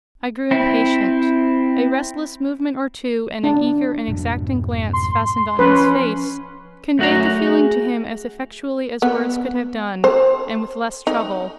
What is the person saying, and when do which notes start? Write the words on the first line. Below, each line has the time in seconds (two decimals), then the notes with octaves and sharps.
I grew impatient: a restless movement or two, and an eager and exacting glance fastened on his face, conveyed the feeling to him as effectually as words could have done, and with less trouble.
0.51 C4 E4
3.44 D4
4.08 F2 G#2 B2
4.93 C6
5.59 F3 C#4 B4
6.99 F#2 A3 F#4 A#5
7.39 G#4
9.02 B3
10.04 C5
11.07 D#4